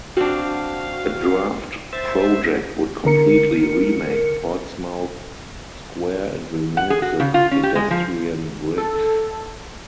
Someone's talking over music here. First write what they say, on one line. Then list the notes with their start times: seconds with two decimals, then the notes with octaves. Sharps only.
A draft project would completely remake Portsmouth Square and remove the pedestrian bridge.
0.17 C4 D4 F#4 F5
1.93 C5 E5 A6
3.05 D3 A#4 C#7
6.77 F#5
6.90 G#4
7.02 F#4
7.20 C#3
7.34 F4
7.51 C#4
7.63 G4
7.75 G#3
7.91 F3
8.78 A4